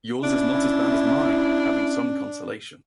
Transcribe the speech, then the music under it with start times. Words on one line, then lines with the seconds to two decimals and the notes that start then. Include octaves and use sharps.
Yours is not as bad as mine, having some consolation.
0.23 C#4 D4 E4